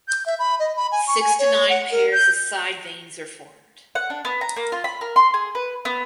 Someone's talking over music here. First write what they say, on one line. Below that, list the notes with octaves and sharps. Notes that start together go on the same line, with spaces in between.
Six to nine pairs of side veins are formed.
G6
E5
B5
D#5
B5
G#5
C#6
G#5
C#5
F#5
A#4
G6
F#5
D4
B3
A#5
A#3
F4
B5
A#4
C6
G#4
B4
B3